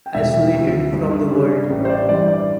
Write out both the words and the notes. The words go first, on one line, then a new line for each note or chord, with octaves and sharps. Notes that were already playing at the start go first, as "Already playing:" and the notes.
"Isolated From The World".
G5
E1 E5
D2 C3
G2
G3 D4
A1
C5
D5
G2 E3 G3 D5
D5